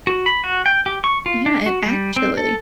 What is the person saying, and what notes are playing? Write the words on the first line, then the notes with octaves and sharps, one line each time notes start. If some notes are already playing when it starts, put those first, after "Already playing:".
Yeah. And, actually"
F#4
B5
F#4
G5
G4
C#6
F4
D4
F#4
G3
C4
A4